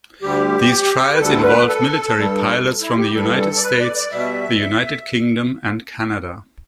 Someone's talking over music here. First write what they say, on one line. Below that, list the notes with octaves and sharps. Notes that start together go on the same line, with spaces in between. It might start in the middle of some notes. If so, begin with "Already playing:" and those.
These trials involved military pilots from the United States, the United Kingdom and Canada.
D2 D3 G3 G4
B4
D2 D3 G3 A4
B4
A4
G2 G3
E4
G4
G2 E3 G3 A4
A4
D5
B4
D5
D5
B2 G3 E5